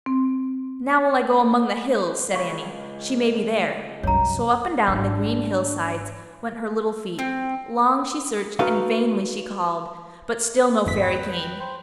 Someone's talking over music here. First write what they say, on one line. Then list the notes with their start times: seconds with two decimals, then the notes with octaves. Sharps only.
"Now will I go among the hills," said Annie, "she may be there." So up and down the green hill-sides went her little feet; long she searched and vainly she called; but still no Fairy came.
0.06 C4
2.33 C#2 F5 C#6
4.03 C2 F#2 C#5 A#5
4.88 G#1 D4
7.19 C4
8.59 D#4 F#4 A4 B4 F5
10.86 G#1 F2 B6
11.01 B4 G5
11.60 C5